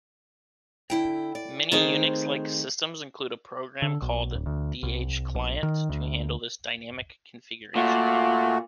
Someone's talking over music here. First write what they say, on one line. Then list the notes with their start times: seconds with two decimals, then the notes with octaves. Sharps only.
Many Unix-like systems include a program called dhclient to handle this dynamic configuration.
0.90 D3 E4 G5
1.35 D5
1.72 D#3 A3 C4 G#4 C5
3.82 D3
4.02 B1
4.33 D1
4.46 D2
4.83 C2
5.34 A#1
5.63 D#3
5.89 D2
7.76 A#2 A3 F4 F#4